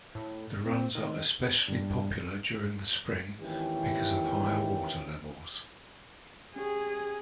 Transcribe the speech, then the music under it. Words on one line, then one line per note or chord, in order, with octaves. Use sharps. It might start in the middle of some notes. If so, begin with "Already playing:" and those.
The runs are especially popular during the spring because of higher water levels.
A2
C4
D#3
G2
G#1 D#2 E3 C#4 E4 G4
C#4 G4 G#4